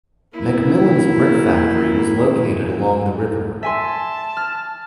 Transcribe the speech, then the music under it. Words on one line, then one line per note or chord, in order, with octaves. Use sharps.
McMillan's brick factory was located along the river.
A#3 E4
E5 G#5 A5 C6
F6